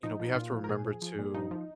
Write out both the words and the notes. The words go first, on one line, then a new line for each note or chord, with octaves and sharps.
you know, we have to remember to
F3 D#4
F3
A#2 F4
F3
A#4
A#2 G#4
F3
F3
A#2
F3 D#4
F3